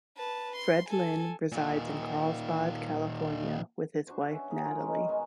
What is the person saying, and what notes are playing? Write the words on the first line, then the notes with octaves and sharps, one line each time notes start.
Fred Lynn resides in Carlsbad, California with his wife, Natalie.
B4 A5
C6
A4 G#5
A#2 D#3
D4 F#4 C5 C#6
C#4 F#4 E5 G5
G#4 A#4
F3 F#3 C#4 A#4
D#3 G3 G#3
B2 G#3 A#4 G#5